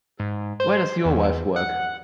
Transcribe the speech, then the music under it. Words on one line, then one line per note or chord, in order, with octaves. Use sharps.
Where does your wife work?
G#2
C5
E2
F#5